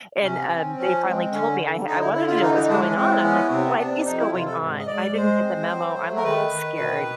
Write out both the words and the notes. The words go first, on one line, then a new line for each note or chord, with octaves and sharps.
and, um, they finally told me I ha I wanted to know what was going on, I'm like, "What is going on? I didn't get the memo, I'm a little scared,"
C3 C#4
C4
F3 C#4
G#3 C4
D3 C#4
D3
D3 D#4
E4
D3 E4
F4
E3 D#4
D#4
G#3 D4
C#4
E3 C4
B3 C#4
C3 C4
C3 D4
F2 D#4
E4
C3 F4
A4
G#2
D#5
G#2 D5
G#3 C5
C4
F#3
A3
A#4
D#3 B4
D#3
B2